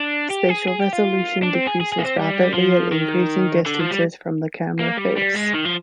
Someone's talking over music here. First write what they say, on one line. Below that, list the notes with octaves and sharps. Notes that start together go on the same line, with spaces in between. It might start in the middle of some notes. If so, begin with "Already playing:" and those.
Spatial resolution decreases rapidly at increasing distances from the camera face.
Already playing: D4
G4
G#4
G#4
G4
F4
D4
C4
G#4
G#4
G#4
A#3
C4
G3
F3
D#3
D3
F3
G3
A#3
G3
G3
G#3
D#3
F3